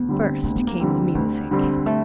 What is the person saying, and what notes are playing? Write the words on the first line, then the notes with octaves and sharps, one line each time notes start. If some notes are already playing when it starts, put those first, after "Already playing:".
First came the music.
Already playing: D2 B3
D3 G3 C4
D2 A#3
B3
A#3
D3 G3 C4
D2 A3
D3 G3 C4
G#3
G#3
A3